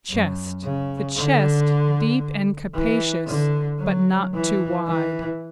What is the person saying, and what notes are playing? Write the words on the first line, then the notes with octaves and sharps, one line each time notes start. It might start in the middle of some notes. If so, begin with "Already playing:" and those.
CHEST--The chest, deep and capacious, but not too wide.
F#2
C#3
D3
E3
D3
F#3
E3
E3